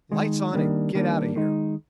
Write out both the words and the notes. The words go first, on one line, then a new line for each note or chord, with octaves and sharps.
"Lights on and get out of here!"
D#3 G#3 D#4
D#3 G3 A#3 D4
D#3 G3 A#3 D4
D#3 G#3 D#4